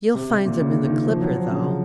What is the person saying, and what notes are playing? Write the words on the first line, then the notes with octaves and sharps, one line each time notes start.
You'll find them in the 'Clipper,' though.
C3
C3
A#2
C#3
D#3
F3
F#3
F3
C#3